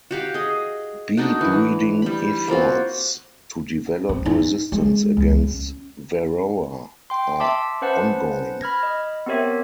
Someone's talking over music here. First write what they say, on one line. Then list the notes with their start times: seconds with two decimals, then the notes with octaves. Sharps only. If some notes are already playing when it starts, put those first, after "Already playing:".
Bee-breeding efforts to develop resistance against "Varroa" are ongoing.
0.11 F#4 G4 F5
0.34 G#4 D#5
1.17 D4 D#4 F#4
1.41 E3
2.02 G3 B5
2.48 A#3 C4 F4 F#4
4.09 C4
4.26 D#4
4.72 G#3
5.17 C#2
5.43 C#4
7.10 G5 C6
7.40 E5 A5 C6 D6
7.82 C#4 B4 C5 F#5 A5
8.61 B5 F6 G#6 A#6
8.83 D#5
9.26 B3 C4 G4 A#4 C#5 E5